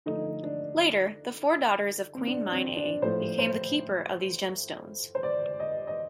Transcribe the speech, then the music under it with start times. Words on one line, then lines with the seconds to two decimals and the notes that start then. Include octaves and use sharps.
Later, the four daughters of Queen Mine-a became the keeper of these gemstones.
0.06 D3 F3 A3 D#4
0.43 D4
2.15 C4
2.27 D4
2.52 C4
2.77 D4
3.02 A2 F3 A3 C5
3.38 C5
5.15 C5
5.23 D5
5.60 D#5
5.87 D#5